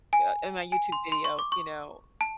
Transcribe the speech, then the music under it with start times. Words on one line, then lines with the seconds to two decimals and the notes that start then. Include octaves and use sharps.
uh, in my YouTube video, you know?
0.13 G#5
0.72 G#5
0.92 C6
1.12 C6
1.25 C#6
1.39 D6
1.52 C#6
2.21 A5